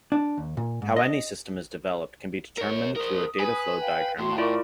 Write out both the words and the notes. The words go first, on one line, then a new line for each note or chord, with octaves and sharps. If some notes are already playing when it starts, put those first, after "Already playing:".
How any system is developed can be determined through a data flow diagram model.
D4
D#2
A#2
G#2
D#5
A#4 C#5
A#4 C5 D#6
B4 G#5
F5 G5
A2 F#4 E5 C6
E4 F4 A#4 D5 C#6 D6